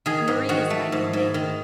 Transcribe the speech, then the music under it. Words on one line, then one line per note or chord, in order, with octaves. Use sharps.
Marie is my new maid.
D#3 G#4
G#2
D#3 F#4
A3
G#2
G#2
D#3